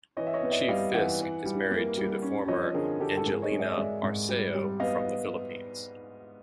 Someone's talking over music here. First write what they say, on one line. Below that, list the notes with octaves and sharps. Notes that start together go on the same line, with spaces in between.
Chief Fisk is married to the former Angelina Arceo from the Philippines.
E3 C#5 D#5
E5
C#5 D#5
B3
D5 E5
G3 D#5 F5
E3 E5 F#5
E3
G3
A#3
G3
C#4
F3 C#5 D#5
D3 G#4 A#4
D3 G4 A4
A4
G#2 G#4 A#4
C#5 D#5
G#3
D5 E5
G#3 D5 E5
G#2
G3
G3
B3 D#5 F5